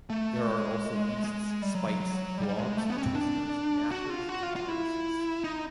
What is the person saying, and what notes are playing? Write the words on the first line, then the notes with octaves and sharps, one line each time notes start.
There are also beasts: spikes, blobs, twisters, gnashers, and viruses.
A3
G#3
G#3
G3
F#3
F#3
F#3
G3
G#3
A3
B3
C#4
C4
D4
F#4
F4
F#4
F4
F4
E4
D#4